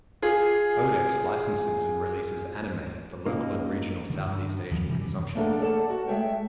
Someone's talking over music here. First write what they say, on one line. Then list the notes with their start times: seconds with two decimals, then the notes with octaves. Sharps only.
Odex licenses and releases "anime" for local and regional Southeast Asian consumption.
0.22 F4 G#4
3.26 C#2 A#3 D#4
4.10 D3 D#3
4.26 G2
4.71 D#2 D#3 F3 G3
4.89 F1 C3 E3 G3
5.35 A3 A#3 D4 G4 A4 F#5
5.62 A4 A#4 D5 F#5 A5
5.90 F#4
6.07 G#3 A3 E5 G5